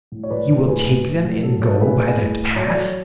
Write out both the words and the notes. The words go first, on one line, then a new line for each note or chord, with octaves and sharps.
"You will take them and go by that path?"
A2
C#5
A2 B4 D5
A2
A2 G#4 B4
A2
A2
A2
F#3 A4
A2 A4 C#5
A2 G#4 B4
A2 G#4 B4
A2 G#4 B4
A3
F#3 C#5
D5
F#3 A4 C#5